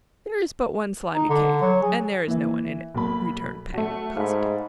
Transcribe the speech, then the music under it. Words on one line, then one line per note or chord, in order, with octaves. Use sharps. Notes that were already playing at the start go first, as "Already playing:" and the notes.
"There is but one Slimy Cave, and there is no one in it," returned Pang positively.
D#4
D3
F#3
G#4
E3 A#3 E5
B1 B2 A#3 B5
A3 F#4 A5
G#2 F5 B5